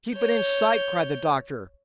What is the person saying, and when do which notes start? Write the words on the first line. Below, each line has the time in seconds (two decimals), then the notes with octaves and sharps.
"Keep it in sight!" cried the doctor.
0.17 C#5 G6